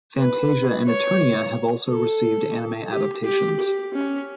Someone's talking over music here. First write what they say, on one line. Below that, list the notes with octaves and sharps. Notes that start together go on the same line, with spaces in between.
"Phantasia" and "Eternia" have also received anime adaptations.
B4
C#5
A4
G4
G4
G4
C#4